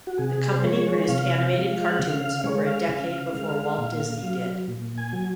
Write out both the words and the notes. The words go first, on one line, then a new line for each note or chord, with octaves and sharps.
The company produced animated cartoons over a decade before Walt Disney did.
F#4
C3 G#4
C5
F3 G#3 C#5
C3 F5
F3 G#3
F#5
C#3 F5
F5
G#3 C#5
F5
C#3
G#3
A#2
F#3
A#2
G#5
F#3